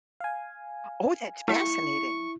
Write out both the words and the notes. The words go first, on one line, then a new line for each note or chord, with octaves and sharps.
Oh, that's fascinating.
F5 G#5
A3 E4 E5 C6 C#6